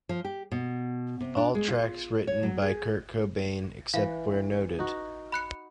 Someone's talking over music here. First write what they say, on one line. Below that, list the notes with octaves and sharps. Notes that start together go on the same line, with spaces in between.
All tracks written by Kurt Cobain, except where noted.
F3
G4
B2
C3
D4
G#3
F4
C#5
F#3
G#4
E3 E5 F5
D#4 F#4
B5 F#6 C#7